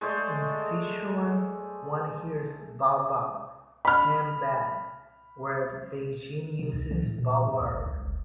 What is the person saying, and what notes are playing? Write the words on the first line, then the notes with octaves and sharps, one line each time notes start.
In Sichuan, one hears "baobao" "handbag" where Beijing uses "bao'r".
G#3 A3 C5 D5
B5 F6
C3
C#2
E3
A2
A#2
G#2
C#2
G1
C#2
F#1